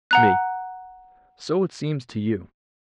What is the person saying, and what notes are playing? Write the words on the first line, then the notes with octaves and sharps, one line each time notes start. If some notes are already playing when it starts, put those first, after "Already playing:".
ME: So it seems to you.
F#5 A#5 F#6